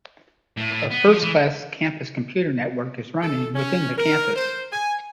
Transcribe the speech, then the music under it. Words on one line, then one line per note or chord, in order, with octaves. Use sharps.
A first-class campus computer network is running within the campus.
A2
A2
B3
F3
E3
A4
C#4
A#4
C5
G#5